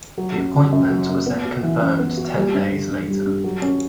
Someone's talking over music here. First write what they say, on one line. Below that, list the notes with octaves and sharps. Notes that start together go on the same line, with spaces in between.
The appointment was then confirmed ten days later.
F#3
F#2
C#3
F#2
F#3
F#2
B3
F#4
E3
F#2
B3
F#4
G3
G2
D3
G2
G3
G2
F#3
C#4